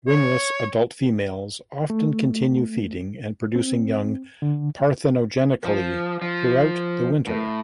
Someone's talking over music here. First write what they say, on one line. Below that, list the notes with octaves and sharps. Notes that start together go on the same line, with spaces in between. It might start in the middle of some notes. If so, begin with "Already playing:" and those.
Wingless adult females often continue feeding and producing young parthenogenetically throughout the winter.
C#5
A3
C4
D3
F3
F3
A2